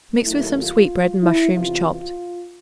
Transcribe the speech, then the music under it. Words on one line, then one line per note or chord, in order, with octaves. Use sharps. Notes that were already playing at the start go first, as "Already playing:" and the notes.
Mix with some sweetbread and mushrooms chopped.
D#2 D#3 F#3 A3 E4
F4
E4
E2 C3 E3 F4
F4